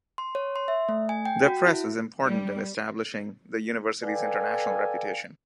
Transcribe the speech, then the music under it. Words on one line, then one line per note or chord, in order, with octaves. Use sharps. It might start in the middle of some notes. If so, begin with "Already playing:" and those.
The Press was important in establishing the university's international reputation.
C6
C#5
C6
E5
A3
G#5
G5
F#4
E4
G3
A4 B4 D5 F5 G5 G#5